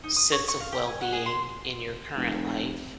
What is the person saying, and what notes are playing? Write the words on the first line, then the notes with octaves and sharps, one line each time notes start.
sense of well-being in your current life?
D#4
D#6
C#5
C#6
F5
G4
G#5
F#5
G#4
C6
F1